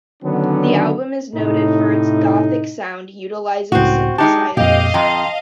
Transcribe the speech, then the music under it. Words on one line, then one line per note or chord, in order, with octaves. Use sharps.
The album is noted for it's gothic sound, utilizing synthesizers.
D3 D#3 F#3 B3 C#4 D4
A2 C3 D#4
C#2 A2 C4 F#4
G#3 D#4 G4 A5 D6
F2 A#2 G4 D#5 F5
F2 G5 A#5 C6